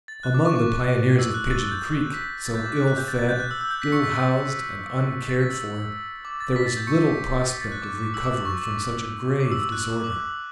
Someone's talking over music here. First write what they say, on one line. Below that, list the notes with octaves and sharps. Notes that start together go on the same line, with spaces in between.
Among the Pioneers of Pigeon Creek, so ill-fed, ill-housed, and uncared for, there was little prospect of recovery from such a grave disorder.
A6
F#6
D6
C#6
D6
E6
F#6
A6
F#6
G6
B6
A6
G6
D6
F#6
F#6
G6
A6
A6
G6
F#6
E6
E6
G6
B6
C#6 C#7
B6
A6
B6
E6
D6
A6
B6
A6
G6
C#6 C#7
B6
A6
F#6
D6
D6
E6
D6
D6
C#6
D6
D6
D6
E6
E6
F#6
E6
D6
D6